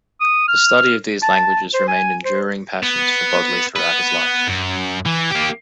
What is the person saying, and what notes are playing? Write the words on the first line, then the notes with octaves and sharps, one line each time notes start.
The study of these languages remained enduring passions for Bodley throughout his life.
D#6
F6
A5
C5
G#5
C5
B3
B3 B4
F#2
E3
A#3 G4